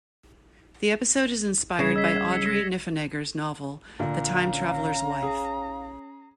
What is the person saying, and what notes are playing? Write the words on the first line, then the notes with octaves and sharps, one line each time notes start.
The episode is inspired by Audrey Niffenegger's novel "The Time-Traveler's Wife".
C#3 G3 G#6 C7 E7
D#5 E6 B6
C#7
E6 A#6
A#2 D3 F5 A#5
C#4
G#4